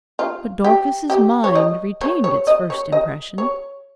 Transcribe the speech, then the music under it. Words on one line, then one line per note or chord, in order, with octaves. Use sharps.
But Dorcas's mind retained its first impression.
F4
G4
G4
C#5
D#5
C#5
C#5
D#5
C#5
D#5
C#5